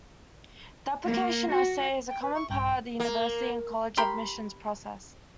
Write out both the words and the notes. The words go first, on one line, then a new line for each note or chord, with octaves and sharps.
The application essay is a common part of the university and college admissions process.
A#3
F#4
G5
B4
E5 C#6
A#1 G2 G5 G6
A#3
G4 A#4 B5 C6